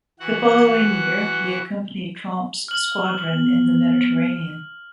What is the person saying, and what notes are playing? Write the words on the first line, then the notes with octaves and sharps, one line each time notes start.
The following year, he accompanied Tromp's squadron in the Mediterranean.
E3 F#4 F#5
F6 F#7
B3